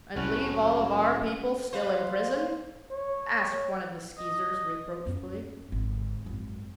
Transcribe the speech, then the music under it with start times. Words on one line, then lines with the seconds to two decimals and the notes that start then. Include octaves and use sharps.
"And leave all of our people still imprisoned?" asked one of the Skeezers reproachfully.
0.16 C2 A2 F#3 C#4 F#5
1.73 B4 C5 F5
2.91 C#5
4.18 D#5
5.06 F#2 B3
5.72 G#1 D3
6.26 G#1 F#2